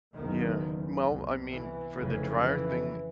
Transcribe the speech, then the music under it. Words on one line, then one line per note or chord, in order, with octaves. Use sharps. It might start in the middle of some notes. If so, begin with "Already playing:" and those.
Yeah, well, I mean, for the dryer thing,
F#1 E2 B2 D#3
C2 B2
E3
F1 F2 C#3
E3